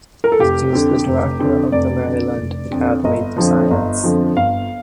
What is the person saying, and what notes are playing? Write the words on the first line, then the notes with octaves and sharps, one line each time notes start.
He was the director of the Maryland Academy of Science.
A#4
A4
F1 G4
F2 D3
F1
F2 D3
F1 D5
F2 D3
F1
F2 D3
G1 D#5
F2 D3 F3
G1
F2 D3 F3
G1 F5